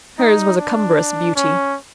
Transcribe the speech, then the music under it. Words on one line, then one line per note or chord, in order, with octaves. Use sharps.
Hers was a cumbrous beauty.
D#4
D4
C#4